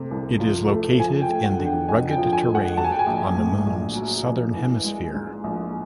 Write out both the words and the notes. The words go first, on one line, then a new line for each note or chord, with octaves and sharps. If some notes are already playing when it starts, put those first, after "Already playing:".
It is located in the rugged terrain on the Moon's southern hemisphere.
Already playing: C3 A3
C2
F3
A3
F3 G#5
G5
A3
F#5
D3
G5
F2 G#5
G5
F3
G#5
A3
F#5
F#3 A5
G#5
G5
G#5
A#1
A2
A#1
F#3
A#1
E3
G#3
G#2
A#1